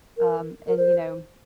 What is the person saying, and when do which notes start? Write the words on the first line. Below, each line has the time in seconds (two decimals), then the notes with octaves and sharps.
Um, and, you know,
0.17 A#4
0.67 A#4
0.77 C5